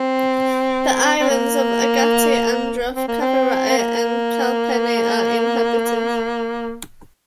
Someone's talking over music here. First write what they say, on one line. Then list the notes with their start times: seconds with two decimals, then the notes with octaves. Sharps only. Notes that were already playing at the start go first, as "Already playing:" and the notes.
The islands of Agatti, Androth, Kavaratti and Kalpeni are inhabited.
Already playing: C4
1.21 C4
1.30 A#3
2.96 C4
3.08 A#3
3.21 C4
3.69 C4
3.78 A#3